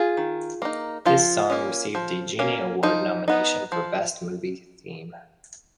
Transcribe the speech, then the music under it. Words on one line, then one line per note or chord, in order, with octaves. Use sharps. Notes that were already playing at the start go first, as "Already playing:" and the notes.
This song received a Genie Award nomination for Best Movie Theme.
Already playing: F4 G#4
D#3
A#3 D#4
F3 F4
A#3 C#4
F3
A#3 C#4
F3 D#4
B3 D#4
F3